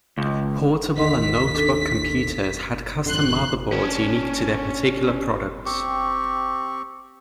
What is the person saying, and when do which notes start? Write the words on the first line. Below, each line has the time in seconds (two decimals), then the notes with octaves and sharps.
Portable and notebook computers had custom motherboards unique to their particular products.
0.18 C#2
0.98 D#2 D#3 D#5 B6
1.55 D4 A4
3.06 G#1 F2 D3 C6 F#6
3.72 C#4 D4
5.66 C4 G4 C#6